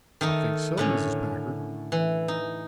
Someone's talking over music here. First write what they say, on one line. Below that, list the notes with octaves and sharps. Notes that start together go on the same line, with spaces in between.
"I think so, Mrs. Packard."
D#3 A3 D#4
A2 D3 C#4
E3
D#4